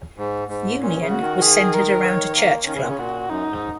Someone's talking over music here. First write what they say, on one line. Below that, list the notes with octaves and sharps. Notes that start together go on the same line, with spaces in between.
Union was centred around a church club.
G#2
G#2
A#2 C#4
C#3
F#4
D#3
G#4
A#4
C#5
A#3
D#3 C#4
C#3
A#2
C#3
A#2 F#4
F#2 D#4
G#2